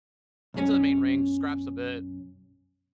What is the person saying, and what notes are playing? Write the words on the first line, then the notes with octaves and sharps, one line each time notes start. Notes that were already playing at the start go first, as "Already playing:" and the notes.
into the main ring, scraps a bit,
B1 F#2 C#4